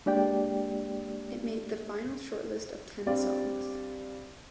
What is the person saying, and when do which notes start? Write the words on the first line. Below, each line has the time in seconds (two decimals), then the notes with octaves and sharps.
It made the final shortlist of ten songs.
0.06 G#3 A#3 D4 G4 D5 G5
3.06 G3 C4 D4 D5 F5